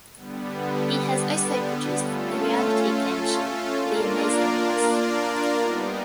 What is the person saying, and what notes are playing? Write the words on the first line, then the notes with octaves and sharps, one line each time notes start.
He has also produced the reality game show "The Amazing Race".
D3 G3 B3
A3 C#4 F4 A4
A#3 D4 F4 A#4 D5
G3 B3 D#4